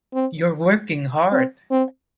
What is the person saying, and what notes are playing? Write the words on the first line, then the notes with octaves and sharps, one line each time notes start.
You’re working hard.
C4
C4
C4